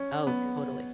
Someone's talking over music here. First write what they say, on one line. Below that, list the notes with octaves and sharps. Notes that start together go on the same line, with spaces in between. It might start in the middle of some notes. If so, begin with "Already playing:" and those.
Oh, totally.
Already playing: C#4
B3